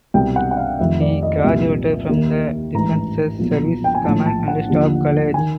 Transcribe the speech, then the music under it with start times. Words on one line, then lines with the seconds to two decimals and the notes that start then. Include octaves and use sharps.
He graduated from the Defence Services Command and Staff College.
0.14 C2 B2 G5
0.36 F#5
0.51 F#5
0.57 F5
0.79 F1 F2 C3 D#3 E5
1.01 D5
1.23 D#5
1.44 C2 A#2 F3 E5
2.09 D#2 D#3
2.74 A1 G#2 E3 A#5
3.39 B1 A#2 F3
3.84 G5
3.95 G#5
4.04 A#1 A2 F3 A5
4.26 A5
4.48 F#5
4.69 D#2 D3 F3
5.34 D#3 G#5